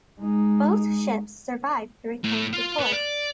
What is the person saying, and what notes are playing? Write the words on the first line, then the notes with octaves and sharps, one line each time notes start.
Both ships survived to return to port.
G#3 D#4
A2
F4
B3
D5